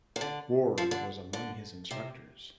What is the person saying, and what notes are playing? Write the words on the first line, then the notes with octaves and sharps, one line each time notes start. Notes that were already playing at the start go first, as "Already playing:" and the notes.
Ward was among his instructors.
C3
D3
F3
D3
D3
C3